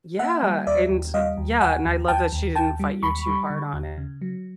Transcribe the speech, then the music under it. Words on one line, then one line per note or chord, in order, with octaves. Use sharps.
Yeah, and Yeah, and I love that she didn't fight you too hard on it,
A#3 E5 F#5
G3
D#2 D5 E5
D#2
G3 D#5 F5
D#2
D#2 F#5 G#5
D#2
D#2 G5 A5
D#2
D#2 G5 A5
G3
D#2 B5 C#6
G3
D3
D#2
C#3
F#3